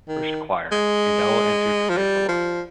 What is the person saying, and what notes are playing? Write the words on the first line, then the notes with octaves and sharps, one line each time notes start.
First choir: And I will enter to praise the Lord.
D#3
G#3
F3
G3
F3